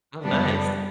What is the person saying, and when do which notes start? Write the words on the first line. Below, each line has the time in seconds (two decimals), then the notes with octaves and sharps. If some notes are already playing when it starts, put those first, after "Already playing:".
Oh, nice.
0.23 F#2 C#3 G3 B3 D4